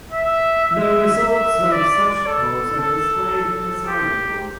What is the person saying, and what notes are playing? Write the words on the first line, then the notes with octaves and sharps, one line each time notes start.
The results of such polls are displayed in this article.
E5
E5
E5
D5
A4
A4
A4
G4